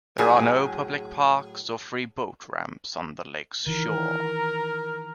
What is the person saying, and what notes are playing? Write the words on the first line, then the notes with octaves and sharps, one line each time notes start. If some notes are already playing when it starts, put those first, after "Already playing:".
There are no public parks or free boat ramps on the lake's shore.
A2 F#3 G#4
D#3 E3 A#4